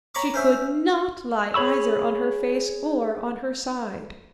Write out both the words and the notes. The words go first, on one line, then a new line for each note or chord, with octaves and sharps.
She could not lie either on her face or on her side.
C#5 A#5 B5 C#6 D6
C#4 C5 E5
G#4 C#5 B5 C#6 E6